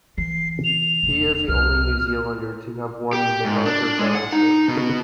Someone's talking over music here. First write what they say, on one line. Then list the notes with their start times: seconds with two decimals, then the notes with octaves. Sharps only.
He is the only New Zealander to have won the MacArthur Fellowship.
0.18 E3 C7
0.64 F7
1.03 D#1 B2
1.48 C2 F2 F6
3.13 G4
3.45 G#2
3.65 D4
3.99 G#3
4.15 F#5
4.32 D#4
4.68 B2